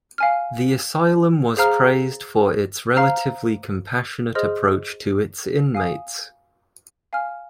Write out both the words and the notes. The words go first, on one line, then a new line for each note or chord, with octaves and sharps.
The asylum was praised for its relatively compassionate approach to its inmates.
F5 G#5 F6
G#4 C5 F5 A#5 F6
C5 F5 A#5 F6
G#4 C5 D#5 C6 F6
F5 G#5 D#6
F5 G#5 F6